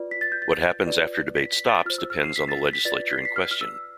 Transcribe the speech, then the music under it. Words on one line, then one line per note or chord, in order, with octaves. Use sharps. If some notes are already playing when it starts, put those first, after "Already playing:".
What happens after debate stops depends on the legislature in question.
Already playing: F4 B4 D5
B6
A6
G6
A6
F4 B4 D5
B6
B6
A6
F4 C5 F6
E6
F6
C7
B6
A6
B6
F4 B4 D5 A6
B6
C7
B6
F6
F6
E6